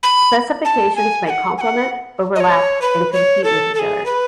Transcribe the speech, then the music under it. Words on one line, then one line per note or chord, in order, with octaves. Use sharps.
Specifications may complement, overlap, and compete with each other.
B5
A5
G#5
G#5
F#5
G#5
F#5
D#5
C#5
B4
C#5
A4
A4
G#4
B4